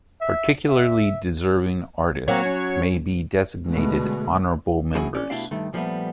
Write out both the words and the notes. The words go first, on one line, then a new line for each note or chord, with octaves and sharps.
Particularly deserving artists may be designated honorable members.
E5
E5
F#3 A#3 C4 C#5 A#5
C#4
B2 D3 G#3 A3
F3 C#4 E4 F#4 G#4
C#4 D5
B2 A3 D4 E4 G4 F5
G2 D#3 A3
A#2 F3 G3 A3 B3